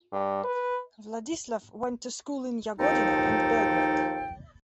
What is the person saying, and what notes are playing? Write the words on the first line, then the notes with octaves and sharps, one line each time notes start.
Vladislav went to school in Jagodina and Belgrade.
G2
B4
D#2 F3 D#4 A4 G5